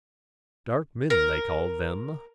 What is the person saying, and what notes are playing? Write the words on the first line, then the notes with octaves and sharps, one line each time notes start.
Dark men they call them.
A#4